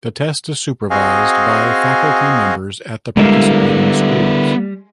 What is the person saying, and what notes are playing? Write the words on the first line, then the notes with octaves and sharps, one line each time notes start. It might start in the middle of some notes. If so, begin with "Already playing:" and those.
The test is supervised by faculty members at the participating schools.
C4 F#4 G#4 D#5 F5 G#5
D3 G3 G#3 B3 E4 A#4 F5